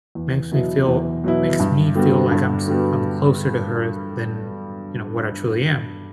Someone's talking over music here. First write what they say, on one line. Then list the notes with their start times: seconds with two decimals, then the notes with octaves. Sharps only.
makes me feel makes me feel like I'm s I'm closer to her s than, you know, what I truly am
0.15 E2
0.52 B2 F#3 B3 E4
0.87 E2
1.24 B2 F#3 B3 E4
1.59 G2
1.95 D3 G3 B3 F#4
2.31 G2
2.68 D3 G3 B3 F#4